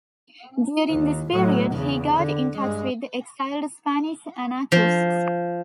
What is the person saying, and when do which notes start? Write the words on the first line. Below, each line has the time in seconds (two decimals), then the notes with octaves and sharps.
During this period he got in touch with exiled Spanish anarchists.
0.89 D#2
1.32 A2 F#3
1.72 E2 C#3
2.14 D3
2.58 G2 G#3
4.72 F3